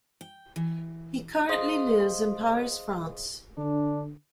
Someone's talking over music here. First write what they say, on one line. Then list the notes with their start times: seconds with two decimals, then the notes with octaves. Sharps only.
He currently lives in Paris, France.
0.21 G5
0.56 E3
1.49 G#4 C5 D#5 F5 C6 D#6
3.58 D3 D4